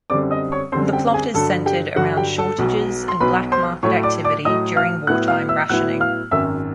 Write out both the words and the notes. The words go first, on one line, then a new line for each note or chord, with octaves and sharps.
The plot is centred around shortages and black market activity during wartime rationing.
F#2 D3 G3 C4 D5 D6
D#5 D#6
C#5 C#6
F#2 D3 G3 C4 C5 C6
G4 G5
G#4 G#5
G2 D3 F#3 A4 A5
G4 G5
G2 D3 F#3 F#4 F#5
G4 G5
A4 A5
B1 B2 F#3
C6
B1 B2 F#3 B4 B5
C5 C6
A2 F#3 A3 C#5 C#6
D5 D6
D5 D6
A2 F#3 A3 D#5 D#6
F5 F6
A2 F#3 B3 E4 F#5 F#6
F5 F6
E5 E6
A2 F#3 B3 E4 F#5 F#6
F5 F6
G#1 F#2 D#3 E5 E6